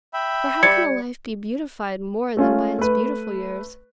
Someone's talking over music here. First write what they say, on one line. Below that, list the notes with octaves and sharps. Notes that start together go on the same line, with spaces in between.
For how can a life be beautified more than by its beautiful years?
E5 G5 B5
G3 G#6 C#7
A3 C#4 F4
A3 B4